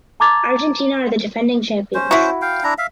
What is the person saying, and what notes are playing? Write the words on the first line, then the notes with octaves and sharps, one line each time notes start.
Argentina are the defending champions.
A5 A#5 D6 G#6 A6 F7
C#4 C5
E4 F#4
F5 G5
D4 E4 A#5
E5 F5